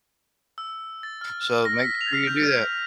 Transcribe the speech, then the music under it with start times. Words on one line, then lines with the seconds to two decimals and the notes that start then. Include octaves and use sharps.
So make sure you do that.
0.58 E6
1.03 A6
1.21 F6
1.42 F6
1.65 A#6
1.82 B6
2.01 F7
2.13 F6
2.27 G6
2.43 F6